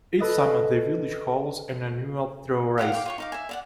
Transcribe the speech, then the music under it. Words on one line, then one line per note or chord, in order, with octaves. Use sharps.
Each summer the village holds an annual Straw Race.
A4 B4 D#5 A6
F4 G4 F5 F#5
F5 G5 C#6 D6
F4 C#5 C#6
D#4 F5 D6
E5 G#5
D5 F5 F#5